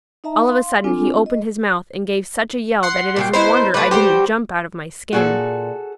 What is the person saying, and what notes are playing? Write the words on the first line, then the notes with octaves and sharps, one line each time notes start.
All of a sudden he opened his mouth and gave such a yell that it is a wonder I didn't jump out of my skin.
D#4 D#5 E5 A5 A#5
F5 C6
C4 D4 F4 A4 G#5 D6
D#5
F#5 C6 C7
A#2 F#3 G5
B3 D#4 E4 C5
G3 A3 B4
G3 F#4 G4 C5
A#2 F#4 G#4 A4